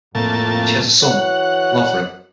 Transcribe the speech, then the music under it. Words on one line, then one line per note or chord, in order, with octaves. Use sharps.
She has a son, Lovro.
F2 A2 A#3 A5
E3 F#4 C#5 F#5